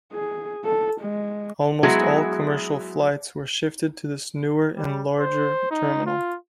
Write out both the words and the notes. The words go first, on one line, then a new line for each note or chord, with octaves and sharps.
Almost all commercial flights were shifted to this newer and larger terminal.
G#4
A4
G#3
F#3 G#3 B3 E4 F#4 G#4
G3
C5
D#4
F4